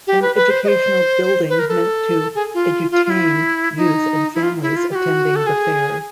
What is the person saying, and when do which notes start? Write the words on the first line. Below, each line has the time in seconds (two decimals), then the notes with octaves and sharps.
An educational building meant to "edutain" youth and families attending the fair.
0.07 G4
0.22 B4
0.36 B4
0.50 C5
0.64 D#5
0.68 C5
1.49 B4
1.59 A#4
1.69 A4
2.35 G#4
2.54 F4
2.91 F4
3.05 F4
3.10 E4
3.77 D#4
4.34 E4
4.43 F4
4.62 E4
4.76 F4
4.91 G4
4.95 F#4
5.36 A4
5.47 G#4